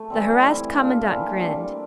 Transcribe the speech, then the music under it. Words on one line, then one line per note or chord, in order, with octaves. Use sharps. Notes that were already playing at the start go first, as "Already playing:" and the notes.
The harassed commandant grinned.
Already playing: A3
E3 G3 C4
G3 C4 E4
A#2 G3 D4 F4
E3 A3 E4
G3 A#3 D4